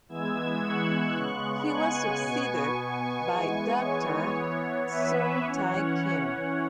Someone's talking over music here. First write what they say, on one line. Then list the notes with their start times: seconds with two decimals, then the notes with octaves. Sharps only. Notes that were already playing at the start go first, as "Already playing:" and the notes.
He was succeeded by Doctor Seung Tae Kim.
0.09 E3 G#3 B3 E6 G#6
0.62 C#6 F#6
1.16 C#3 G#3 B3
1.69 G#5 C#6
2.22 B2 B3
2.76 G#5 C#6
3.30 E3 G#3 B3
3.82 C#5
4.35 E3 B3
4.89 B4 E5
5.42 E3 C#4 C#5 F#5